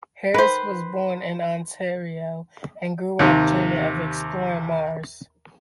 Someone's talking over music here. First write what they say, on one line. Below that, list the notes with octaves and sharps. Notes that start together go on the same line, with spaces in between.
Harris was born in Ontario and grew up dreaming of exploring Mars.
D#3 B4 C5
D#2 C3